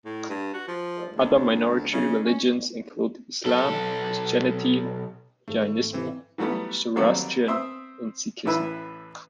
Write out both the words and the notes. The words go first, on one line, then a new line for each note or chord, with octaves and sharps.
Other minority religions include Islam, Christianity, Jainism, Zoroastrian, and Sikhism.
A2
G2
F#4
F3
D2
D2
C#3
C#4
B1 A4
G#1 A3 A4
E3 C4
E3 F#3 G3 A3 B3
D3 D#3 F#3 G3 A#3 C4
C4 E5 C6 D#6 E6
A1 A2 E4 B4 E5